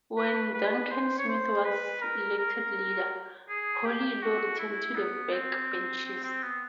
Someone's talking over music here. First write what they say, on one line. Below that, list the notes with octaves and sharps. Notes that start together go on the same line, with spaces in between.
When Duncan Smith was elected leader, Portillo returned to the backbenches.
B4
B4
C5
C#5
C5
B4
A#4
A#4
G#4
G4
F#4
E4
B3
C4
C4
C4
B3